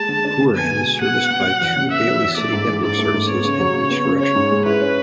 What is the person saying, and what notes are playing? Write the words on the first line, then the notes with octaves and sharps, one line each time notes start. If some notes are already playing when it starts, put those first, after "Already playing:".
Cooran is serviced by two daily City network services in each direction.
Already playing: G#3 A5
D3
D4
D3
B3 G#5
B2
G#3
B2 F#5
B3
B2
F#3
E2
C#3
B3 E5
F#3
E2
A3 D5
G#2
E3
G#2 D5
A3
G#2
B3 C#5
C#3
F#3
C#3
B3
C#3
C#4 C#5
G#2
G#3
E4 B4
C#4